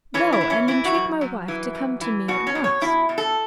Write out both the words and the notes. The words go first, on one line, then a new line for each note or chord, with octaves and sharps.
"Go and entreat my wife to come to me at once."
E3 C#4
E4
E3
C#4
E3 E4
F#4
F#2
F#2
E3
F#2
E3
B2 F#4
C#4
B2
C#5
B2 E4
B2
A4